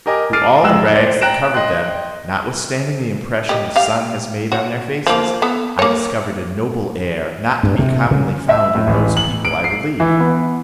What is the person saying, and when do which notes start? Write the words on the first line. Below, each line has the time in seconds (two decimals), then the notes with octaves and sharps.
Through all the rags that covered them, notwithstanding the impression the sun has made on their faces, I discovered a noble air, not to be commonly found in those people I relieve.
0.06 G4 A#4 D#5 G#5 D6
0.33 D6 F6 A6 C7 D7 D#7
0.63 F1 G#3 G5 E6 F#6 E7
0.92 C5 D5
1.21 G5 A#5 F#6 A#6 D7 E7
1.54 D#5 G5 C6 F#6
3.49 G4 D#5
3.76 G4 F5
4.52 F#4 C#5
5.07 F3 A#3
5.42 B3 A4
5.79 A#3 C#5
7.63 G2
7.79 C3
8.11 C#3
8.49 E5
8.75 A2
8.87 A1
9.17 F#7
9.45 D7
9.64 C7
10.00 E3
10.20 B3